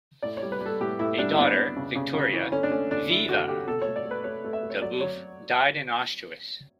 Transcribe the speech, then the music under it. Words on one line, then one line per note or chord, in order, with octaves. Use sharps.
A daughter, Vittoria "Viva" Daubeuf, died in Auschwitz.
A2 D5
C#5
G3
B4
G3
A4
A2 G4
A2 E4
G3 D4
E4
B3 D4
B3
C#3
C#3
C#3
E3
D3 C#4
D4
A3 C#4
D3 D4
D3 E4
D3 F#4
D3 G4
B2 A4
A3 C#5
D5
A3
B4
A3 C#5
A3
E5
A3
C#5
F#3 D5
F#3 C#5